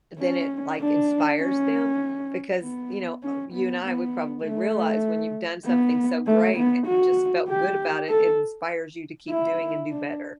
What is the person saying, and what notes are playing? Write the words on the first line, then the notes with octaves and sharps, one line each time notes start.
eh, then it, like, inspires them because, you know, uh you and I, we probably realize when you've done something so great and you just felt good about it. It inspires you to keep doing and do better,
C#4
D4
C#4
B3
C#4
B3
B3
A3
B3
A3
B3
F#4
G4
A4
E4
D4